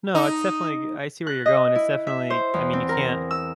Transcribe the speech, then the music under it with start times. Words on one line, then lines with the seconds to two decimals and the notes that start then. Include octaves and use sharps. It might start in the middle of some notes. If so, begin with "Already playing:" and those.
No, it's definitely go I see where you're going. It's definitely I mean, you can't
0.15 D#4
1.27 F#6
1.46 D#5
1.75 E4
2.07 E5
2.30 C5
2.54 E2
2.73 C4
2.89 A#4
3.31 E6